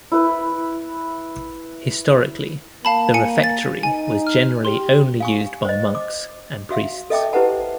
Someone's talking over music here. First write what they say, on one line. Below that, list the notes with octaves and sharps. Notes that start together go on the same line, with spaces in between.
Historically, the refectory was generally only used by monks and priests.
E4 B4
A#3 F5 A5 B5
G#5 C#7
A6
D#4 G#5
F6
G4 C6
F5 G#5 C#6
C5 D#5
D6
F#4 E5 F5
A4 D#5 E5 G5 A5 D6
E4 G4 B4 C5 F#5 A5